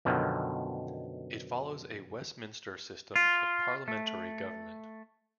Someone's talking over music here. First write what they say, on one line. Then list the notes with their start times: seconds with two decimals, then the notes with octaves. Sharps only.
It follows a Westminster system of parliamentary government.
0.05 F#2 B2 D3 D#3 F3
3.16 F4
3.88 A3